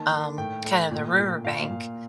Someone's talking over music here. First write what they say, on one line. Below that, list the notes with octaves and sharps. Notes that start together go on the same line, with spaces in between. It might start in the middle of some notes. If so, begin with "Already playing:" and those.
um, kind of the riverbank
Already playing: D#3 A#3 A5
D#3
A2 G5
A2
A#2
A#2
A#2 F5
A#2